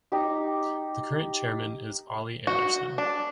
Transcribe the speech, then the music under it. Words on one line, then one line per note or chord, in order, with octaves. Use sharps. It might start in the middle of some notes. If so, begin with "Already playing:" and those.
The current chairman is Ole Andersen.
D#4 G4
F#4
D4